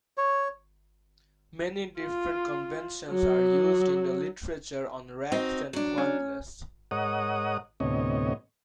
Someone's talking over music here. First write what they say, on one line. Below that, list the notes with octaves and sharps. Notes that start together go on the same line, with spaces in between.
Many different conventions are used in the literature on racks and quandles.
C#5
F4
F#3
C4 D#4 F#4
F#3 D4
C#4
G#2 A#4 C#5 D#5 F#5 D#6
D2 A2 C3 B3 C#5 D#5